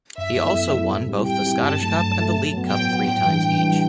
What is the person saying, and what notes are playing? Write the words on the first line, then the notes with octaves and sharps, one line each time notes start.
He also won both the Scottish Cup and the League Cup three times each.
F#2 E5
F#3 B3 E4 A4
F#2
F#3 B3 E4 A4
A2
G3 C4 E4 G4
A2 G5
G3 C4 E4 G4
G2 A5
F#3 A3
G2
F#3 A3
A2
F#3 B3
A2 G5
F#3 B3
A2 G5
E3 G3 D4
A2
E3 G3 D4